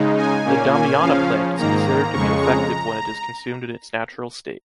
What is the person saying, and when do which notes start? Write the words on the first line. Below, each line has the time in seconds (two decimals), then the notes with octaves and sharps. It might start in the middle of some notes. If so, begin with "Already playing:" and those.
The damiana plant is considered to be effective when it is consumed in its natural state.
Already playing: C#3 G#3 D#4
0.17 G#5
0.45 A#2 A#3 C#4
0.74 G#5
1.01 C#3 F3 C#4 F5
1.57 G#2 D#3 A#3 A#5
2.13 F2 C#3 G#3 C#6
2.42 A#5